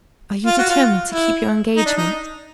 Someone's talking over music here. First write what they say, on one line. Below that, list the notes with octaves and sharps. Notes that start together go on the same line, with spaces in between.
"Are you determined to keep your engagement?"
F4
F#4
F4
E4
D#4
D4
D#4